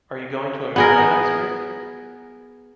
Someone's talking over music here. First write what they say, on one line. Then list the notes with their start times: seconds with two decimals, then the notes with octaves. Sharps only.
Are you going to America next year?
0.76 B3 G#4 A#4